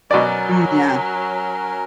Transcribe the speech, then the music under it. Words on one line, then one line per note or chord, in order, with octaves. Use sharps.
Mm, yeah.
B2 F#3 C#4 A#4 D5